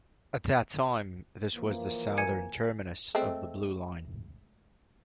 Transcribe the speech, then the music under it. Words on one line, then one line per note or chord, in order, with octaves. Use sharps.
At that time, this was the southern terminus of the Blue Line.
E3 F3 A#3
G#5 G#6 C#7
G#3 A3 C4